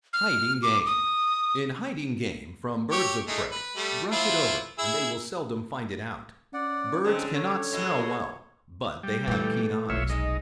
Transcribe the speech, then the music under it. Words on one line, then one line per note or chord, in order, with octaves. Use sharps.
Hiding Game.--In hiding game from birds of prey, brush it over, and they will seldom find it out; birds cannot smell well, but they have keen eyes.
F6
D6
D#6
G4 C#5
G#3 A3 D#4
B4
G3 A3
F3 E4 F4
E4 G#4 E6
C#4 D5 F#5
D3 C4 D#4 G#4
A4 C#5
A2 G#3 F#4
G3
A#2 E3 A3
F1 B1 F4 C#5 E5
G#3 D#4